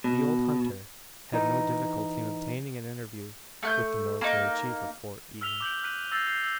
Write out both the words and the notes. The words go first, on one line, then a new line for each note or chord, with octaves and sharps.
The old hunter had no difficulty in obtaining an interview with the military chief of Fort Inge.
B2
E3 D#4
A3 F#6 G6
A#3 D#4
E6 F6 B6 F7 G7
D6 G6 F#7
F6 F#6 B6 D#7 F#7
E6 G6 A6 A#6 C7
E6 G6 C7
E6